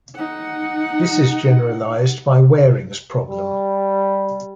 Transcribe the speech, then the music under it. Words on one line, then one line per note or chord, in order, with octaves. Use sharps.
This is generalized by Waring's problem.
D#4 F#5
G3